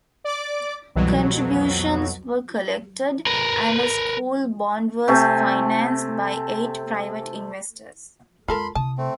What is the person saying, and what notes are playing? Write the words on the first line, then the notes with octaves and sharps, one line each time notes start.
Contributions were collected, and a school bond was financed by eight private investors.
D5 D6
C2 F2 B2 E3 F#3 G3
A#4 B4
C3 A3 G#5
F2 G#3 F4 A4 A#4 B5 C6
C3 E4 A5 D#6
A3 C4